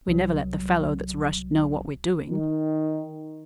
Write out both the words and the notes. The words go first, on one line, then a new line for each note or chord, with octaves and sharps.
We never let the fellow that's rushed know what we're doing.
C2 F#3
D#3